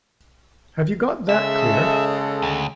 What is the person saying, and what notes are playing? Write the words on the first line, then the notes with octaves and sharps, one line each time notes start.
Have you got that clear?
C#3 G#3 A4 E5
D2